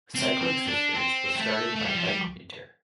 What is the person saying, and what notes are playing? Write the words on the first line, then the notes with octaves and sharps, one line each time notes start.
Cycling Sisters was started by Bike Winter.
C4
C4
D4
C4
A3
A3
G3
F3
G3